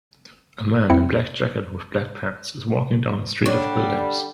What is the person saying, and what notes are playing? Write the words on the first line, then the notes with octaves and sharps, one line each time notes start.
A man in a black jacket with black pants is walking down a street of buildings.
F2 C4 E4 C#7
D3 G3 D4 C#5